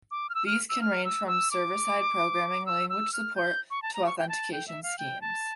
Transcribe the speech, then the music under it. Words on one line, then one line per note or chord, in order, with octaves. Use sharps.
These can range from server-side programming language support to authentication schemes.
D6
F6
E6
F6
E6
F6
E6
E6
D6
E6
E6
F6
G6
C#6
A5
A#5
C#6
G5
A5
G5
E5
F5
G5
A5